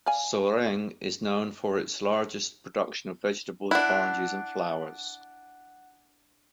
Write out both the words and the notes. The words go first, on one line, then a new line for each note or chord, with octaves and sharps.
Soreng is known for its largest production of vegetables, oranges and flowers.
D5 F5 G#5
D4 E4 F#5 F#6